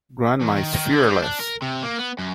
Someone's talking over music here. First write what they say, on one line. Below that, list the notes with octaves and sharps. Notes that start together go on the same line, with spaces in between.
Grandma is fearless.
E2
D#3
D#3
D3
G3
D4
A#4
C3
A#3
B3
F#2